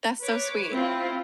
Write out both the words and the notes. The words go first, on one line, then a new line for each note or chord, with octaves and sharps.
That's so sweet.
B4 C#5 D6
C4 E4 F4